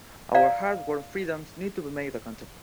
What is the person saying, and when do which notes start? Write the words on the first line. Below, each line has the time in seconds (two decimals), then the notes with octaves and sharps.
Our hard-won freedoms need to be made accountable!
0.34 D5 F5 A#5